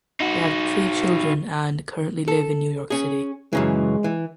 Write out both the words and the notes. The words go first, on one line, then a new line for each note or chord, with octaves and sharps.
They have three children and currently live in New York City.
D#4 F#4
A4
C#4 G#4
F#2 C#3 E3 G#3
E3